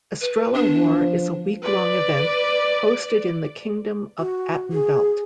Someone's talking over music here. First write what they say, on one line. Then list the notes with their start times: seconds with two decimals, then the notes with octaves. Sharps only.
Estrella War is a week-long event hosted in the Kingdom of Atenveldt.
0.21 B4
0.54 B3 D4
0.83 F3
1.62 B4 D5
4.19 F#4
4.72 G#4